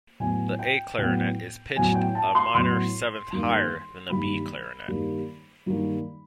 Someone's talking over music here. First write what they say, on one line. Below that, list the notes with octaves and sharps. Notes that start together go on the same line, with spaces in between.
The A clarinet is pitched a minor seventh higher than the B clarinet.
A2 F#3 B3 G#5
G5
A2 F#3 B3 G5
A2 F#3 B3 G#5
G5
A5
C6
A2 F#3 B3 C6
G2 D#3 G3 A#3
G2 D#3 G3 A#3 B5
G2 D#3 G3 A#3
G2 D#3 G3 A#3